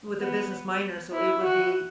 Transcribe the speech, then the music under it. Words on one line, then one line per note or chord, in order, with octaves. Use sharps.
with a business minor, so it would be
B3
E4
F#4